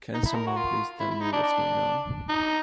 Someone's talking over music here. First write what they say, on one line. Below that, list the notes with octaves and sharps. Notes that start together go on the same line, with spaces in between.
Can someone please tell me what's going on?
D#4
E4
A#4
F#4
F4
E4
E4
D#4
D4
D4
D#4